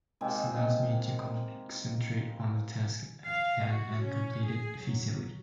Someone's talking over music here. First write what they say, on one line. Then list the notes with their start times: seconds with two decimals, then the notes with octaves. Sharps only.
This allows me to concentrate on the task at hand and complete it efficiently.
0.21 C3 D#3 G#3 A#3
3.24 F5
3.67 F#4
4.02 C#4
4.44 G#4
4.81 F#3